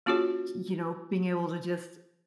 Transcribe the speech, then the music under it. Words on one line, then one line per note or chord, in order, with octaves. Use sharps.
y you know, being able to just
A#3 C#4 F4 F#4 G#4 C#5